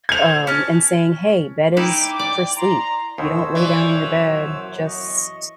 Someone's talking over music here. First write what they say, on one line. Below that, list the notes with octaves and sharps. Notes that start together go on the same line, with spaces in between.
um, and saying, "Hey, bed is for sleep." You don't lay down on your bed just
A4 C5 G#6 F7
C#4 A5
D#4 E4 G5 D6
D5
A#5 C6
D#2 B2 D#3 C5 C#5 E6
E3 D5
F#2
D#5 C#6